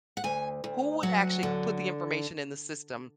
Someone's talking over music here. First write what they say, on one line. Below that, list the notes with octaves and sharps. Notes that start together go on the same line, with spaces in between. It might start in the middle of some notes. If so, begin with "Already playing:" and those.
Who would actually put the information in the system,
F#5
D2 G#5
D2
F#3 F#5
D3